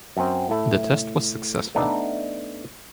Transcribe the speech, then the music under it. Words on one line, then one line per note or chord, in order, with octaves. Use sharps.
The test was successful.
F#2 C4
A2 A3
A3 B3 D4 D#4